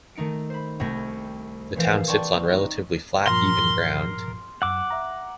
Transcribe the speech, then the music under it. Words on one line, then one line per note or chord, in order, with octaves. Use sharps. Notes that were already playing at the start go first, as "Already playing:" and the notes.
The town sits on relatively flat, even ground.
D#3 A3 D#4 C#7 D7
C5 B5
C2 A3 G5 B5 G#6 A#6
A#1 E3 C5 F5
D5 G5 A5 C6 C#6
D#4
G2 A#2 F3 A#4 C6
F#2 F#5 D6 E6
E5 A#5